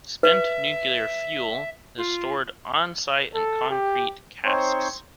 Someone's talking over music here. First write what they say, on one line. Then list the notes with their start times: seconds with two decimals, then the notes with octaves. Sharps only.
Spent nuclear fuel is stored on-site in concrete casks.
0.23 B4 E5
1.98 F4
3.34 A4
3.71 G4
4.45 C4 D#4 C5 C#5 C6 C#6